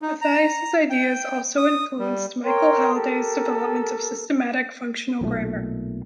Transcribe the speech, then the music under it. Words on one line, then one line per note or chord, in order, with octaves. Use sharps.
Mathesius's ideas also influenced Michael Halliday's development of systemic functional grammar.
D#4
A#5
G5
D#6
G3
A#4 C#5 G5 C6
G4 A4 A#4
B1 A#2 F3 A3